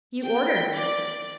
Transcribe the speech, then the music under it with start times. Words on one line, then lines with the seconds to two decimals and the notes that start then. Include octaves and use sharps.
"You order me?"
0.24 G5
0.73 D5